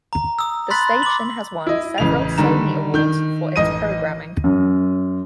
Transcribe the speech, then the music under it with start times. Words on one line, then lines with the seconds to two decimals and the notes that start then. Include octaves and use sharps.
The station has won several Sony Awards for its programming.
0.13 A#5
0.39 D#6 E6
0.70 B5 C6 F#6 A6 B6 F#7
1.03 D6 F#7
1.67 E4 D#5
1.98 A1 C#3 F7
2.38 D3 D#3 G3 A#5 E7
2.94 D#3 G6
3.56 A1 D#5 D#7
4.44 F#2